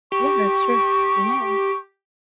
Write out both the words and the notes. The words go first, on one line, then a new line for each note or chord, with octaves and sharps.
Yeah, that's true. Yeah.
G4 C#6